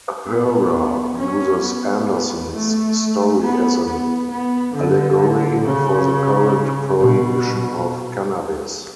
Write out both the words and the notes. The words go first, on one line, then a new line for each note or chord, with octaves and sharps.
Herer uses Andersen's story as an allegory for the current prohibition of Cannabis.
B3
C#4
B3
A3
B3
B3
B3
D3
C#3
B2